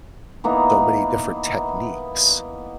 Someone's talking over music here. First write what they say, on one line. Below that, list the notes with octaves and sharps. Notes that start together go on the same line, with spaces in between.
so many different techniques
E3 A#3 B3 D#4